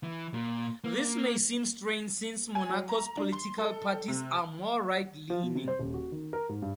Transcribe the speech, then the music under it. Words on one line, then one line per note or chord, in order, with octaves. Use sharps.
This may seem strange since Monaco's political parties are more right-leaning.
E3
A#2
A#3
G#5
F#3
A#5
D4
C6
A4
C3
F3
B2
C3
C5
D#1
F#4
D#3
A#4
G#2
G2